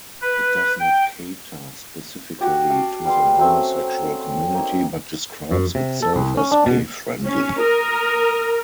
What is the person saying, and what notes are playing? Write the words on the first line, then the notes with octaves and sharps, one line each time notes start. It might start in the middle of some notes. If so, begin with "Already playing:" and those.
It does not cater specifically to the homosexual community but describes itself as gay-friendly.
B4
G5
F#4 G4 C#5
F5 G5 A5
G3 B3 G#4 C6
F#3 A3 C4 C#4
A#3 D#4
F#2
C3
A4
C2
C#4
D4
B2
C#4
A#4 D#6